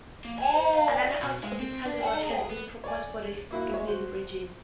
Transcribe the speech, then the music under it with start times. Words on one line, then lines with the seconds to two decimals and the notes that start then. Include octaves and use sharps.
Another outer orbital road has been proposed for the Dublin region.
0.25 A#3
0.38 G#5
0.54 C5
0.75 F5
0.91 D5
1.22 B2
1.43 G#3
1.59 C4
1.85 D4
2.07 F#5
2.23 G#4
2.50 B3
2.84 C#5 D5 G#5
3.51 A#3 E4 F#4
3.71 G#3 C#5 E5
3.87 F#4 C5